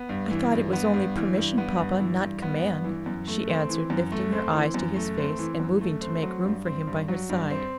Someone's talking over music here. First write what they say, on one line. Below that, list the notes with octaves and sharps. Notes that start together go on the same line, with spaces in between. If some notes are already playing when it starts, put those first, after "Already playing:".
"I thought it was only permission, papa, not command," she answered, lifting her eyes to his face, and moving to make room for him by her side.
Already playing: B3
G2
E3
G2
B3
G2
E3
G2
B3
G2
E3
G2
B3
G2
E3
F#2
A3
C4
E3
F#2
A3
C4
E3
F#2
A3
C4
E3
F#2
A3
C4
F#3
G2
C4
G2
F#3
G2
C4